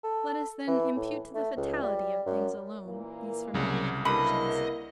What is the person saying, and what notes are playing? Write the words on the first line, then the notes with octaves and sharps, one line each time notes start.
Let us, then, impute to the fatality of things alone these formidable collisions.
A4
E3
A2
A3
C#2
G3
F#2
A#2 E3 A#3
C2 C#3 F#3
B2 D3 A#3 E4 A#4 D#5 B5